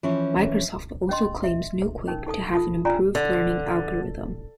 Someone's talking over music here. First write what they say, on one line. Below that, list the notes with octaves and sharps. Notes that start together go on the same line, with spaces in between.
Microsoft also claims New-Quick to have an improved learning algorithm.
E3 F3 C#4
C#4 D4 D#5 C6
E5
C#4 D#4 A#4
D#4 A4 A5 D#6
F4 A5 D#6
C#4 D4 F4 D5 G#5 A#5
D3